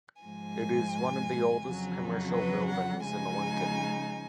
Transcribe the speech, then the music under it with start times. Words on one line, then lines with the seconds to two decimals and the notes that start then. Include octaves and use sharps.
It is "one of the oldest commercial buildings" in Lincoln.
0.22 G#2 F3 G#3 G#5
1.63 F2 C#3 F#3
2.34 B4
2.69 F#5
3.04 C#3 F3 G#3 D#4 G#5